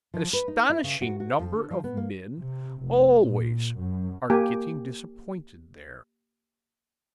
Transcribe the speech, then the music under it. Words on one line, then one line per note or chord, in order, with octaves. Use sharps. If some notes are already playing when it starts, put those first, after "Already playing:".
An astonishing number of men always ARE getting disappointed there.
F3
B4
D#4
E4
C#3
F#4
F#4
F2
D3
F3
B3
A#3
C3
F1
A#2
F#2
A#3 G4 G#5